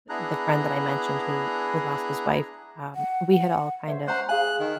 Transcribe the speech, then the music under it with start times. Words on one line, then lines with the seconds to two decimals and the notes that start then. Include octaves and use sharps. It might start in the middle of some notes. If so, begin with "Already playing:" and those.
th the friend that I mentioned who who lost his wife, um, we had all kind of
0.09 B3 D4 E4 G#4 A#5 F#6
2.95 F#5
3.30 F#5
3.88 C5 C#5 E5
4.07 C#4 C5 F#5 A#5
4.29 G#4 F5 G#5 F#6
4.60 D#3